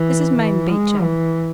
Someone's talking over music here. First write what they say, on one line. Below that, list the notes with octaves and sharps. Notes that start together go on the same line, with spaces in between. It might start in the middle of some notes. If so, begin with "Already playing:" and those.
This is Mame Beecher.
Already playing: E3
E3
G#3
E3